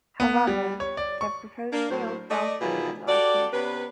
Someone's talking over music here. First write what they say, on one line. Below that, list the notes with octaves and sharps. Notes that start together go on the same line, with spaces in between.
However, the proposed deal fell through at the last minute.
B3
G3
C#5
D5
C#6
A#3 D4
A2 F#3 C5
A3 D5 D#5
B2 D#3 E3 E4 F4 G#4
F#4 G4 A4 D5
C3 B3 C#4 B4